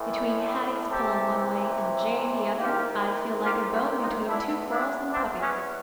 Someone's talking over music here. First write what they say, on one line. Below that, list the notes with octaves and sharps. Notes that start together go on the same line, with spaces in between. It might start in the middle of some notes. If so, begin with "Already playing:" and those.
Between Hattie's pulling one way and Jane the other, I feel like a bone between two quarrelsome puppies.
Already playing: A1 A2 E3
C#2 C3 E3 G4 A4
C2 C3 D#3 F4 G4
F4 G4
E4 F#4
D#4 F4
E2 B2 D4 E4
D4 E4
C4 D4
B3 C#4